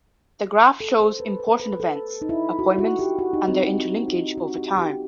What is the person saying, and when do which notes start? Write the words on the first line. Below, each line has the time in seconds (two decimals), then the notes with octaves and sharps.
The graph shows important events, appointments, and their interlinkage over time.
0.80 A4
1.00 C5
1.20 B4
1.40 B4
1.60 B4
1.80 A4
2.22 D#4
2.29 E4
2.59 F#4
2.79 F#4
2.99 G4
3.19 F#4
3.33 D#4
3.48 C4
3.63 D#4
3.78 C4
4.08 D#4
4.38 F#4
4.58 G4
4.77 G4